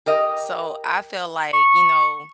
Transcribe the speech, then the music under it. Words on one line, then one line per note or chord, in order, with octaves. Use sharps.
So I felt like, you know,
G4 A#4 D#5
C#6